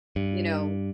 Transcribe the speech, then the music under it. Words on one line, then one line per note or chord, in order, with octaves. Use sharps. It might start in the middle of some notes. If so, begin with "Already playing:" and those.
you know
G2